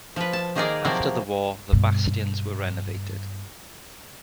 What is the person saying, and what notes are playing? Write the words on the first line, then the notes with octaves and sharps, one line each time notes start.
After the war the bastions were renovated.
F3 B4
A5
D#3 A#3 D#4 G#4 A#4 D5
C3 F3 F#3 A#3 C4 D5
G2 B2